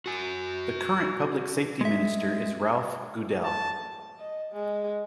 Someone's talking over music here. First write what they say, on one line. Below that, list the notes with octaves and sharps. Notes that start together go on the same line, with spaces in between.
The current public safety minister is Ralph Goodale.
F#4 G#5
G#3 E5
A5
D#5
G#3